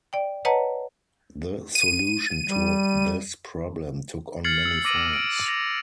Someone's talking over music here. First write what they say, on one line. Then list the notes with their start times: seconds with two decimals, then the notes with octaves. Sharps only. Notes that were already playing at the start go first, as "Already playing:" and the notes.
The solution to this problem took on many forms.
0.13 D5 G5
0.45 B4 C#5 D#5 F#5 A5 A#5
1.75 D#7
2.44 G3
4.44 F6 G#6 A6 C7 C#7 F#7
4.65 E6
4.85 D6 E6 A#6 D7 D#7 F#7
5.13 D7
5.46 A#6 F7